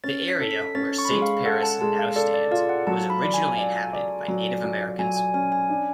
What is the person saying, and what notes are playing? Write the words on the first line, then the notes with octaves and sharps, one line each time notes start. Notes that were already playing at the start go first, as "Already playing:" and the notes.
The area where Saint Paris now stands was originally inhabited by Native Americans.
C#4 A6
B6
A4
B6
C#4 A6
C#6
B5
G#3 C#6
F5
A4 F#5
A5
G#3 A5
F5
A4 D5
D5
F4 D5
F#5
F#3 A5
B5
D5
G#5
D5
D5
F#3
F#3
F#3 G#5
G#5
C#4 G#5
G#5
D4